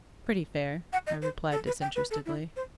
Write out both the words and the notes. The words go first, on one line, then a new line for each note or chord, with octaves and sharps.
"Pretty fair," I replied disinterestedly.
F#5
D#5
C5
A4
B4
G5
B4
A4
E4
C5